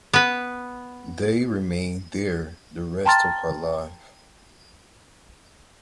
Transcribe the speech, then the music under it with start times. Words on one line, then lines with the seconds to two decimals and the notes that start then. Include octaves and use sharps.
They remained there the rest of her life.
0.13 B3 B4
3.05 G5 A5 A#5 C6 F6 A6